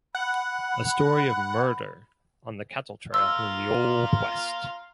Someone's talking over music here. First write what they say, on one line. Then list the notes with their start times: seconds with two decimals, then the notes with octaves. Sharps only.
A story of murder on the cattle trail in the old West.
0.15 F#5 B5
3.14 F5 A#5 C6 E6